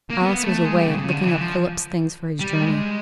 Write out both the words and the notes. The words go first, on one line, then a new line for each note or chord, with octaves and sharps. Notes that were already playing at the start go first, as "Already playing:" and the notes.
Alice was away, looking up Philip's things for his journey.
A#3
B3
A3
G#3
G3
C#3
C#3
D3
E3
F3
G3
G#3